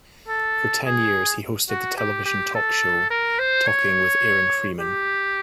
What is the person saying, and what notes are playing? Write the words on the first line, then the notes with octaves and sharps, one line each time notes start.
For ten years, he hosted the television talk show "Talking with Aaron Freeman".
A4
G#4
F#4
G4
G4
A4
A#4
C5
C#5
G4